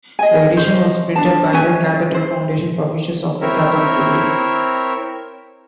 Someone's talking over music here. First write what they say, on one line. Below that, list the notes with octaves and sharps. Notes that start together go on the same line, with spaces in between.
The edition was printed by the Cathedral Foundation, publishers of "The Catholic Review".
D#5 G#5
C#4 C5 D#5
D4 A5
C#4 B4 G#5
C5
C4 E4 A#4 C#5 E5